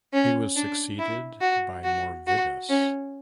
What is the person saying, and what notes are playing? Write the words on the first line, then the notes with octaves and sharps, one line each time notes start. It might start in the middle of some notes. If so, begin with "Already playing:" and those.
He was succeeded by Morvidus.
C#4
D4
E4
F#4
F#4
F#4
C#4